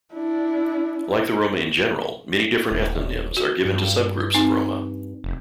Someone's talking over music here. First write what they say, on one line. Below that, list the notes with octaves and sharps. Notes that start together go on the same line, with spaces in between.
Like the Roma in general, many different ethnonyms are given to subgroups of Roma.
D4 E4
D#1
F#4
G2
C4 D#4 G#5
F1